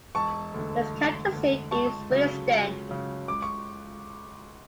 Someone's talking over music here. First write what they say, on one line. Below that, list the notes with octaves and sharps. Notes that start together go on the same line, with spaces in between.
Its county seat is Williston.
E1 A5 C#6
D2 D3
E1
D2 D3
C#2 A5 C#6
C#3 F#3
C#2
C#3 F#3
C#2 D6
C#6